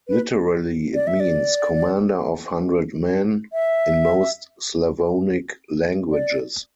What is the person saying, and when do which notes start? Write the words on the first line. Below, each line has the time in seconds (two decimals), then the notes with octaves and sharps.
Literally it means "commander of hundred men" in most Slavonic languages.
0.08 B4
0.95 D5
1.07 E5
1.20 D5
3.53 E5
6.11 D5